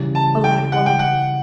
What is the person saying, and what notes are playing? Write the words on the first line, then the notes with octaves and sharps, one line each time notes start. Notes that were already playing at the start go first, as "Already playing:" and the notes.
Oh, that woman!
Already playing: C#3 E3 G3
A5
G5
F#5
G5
F#5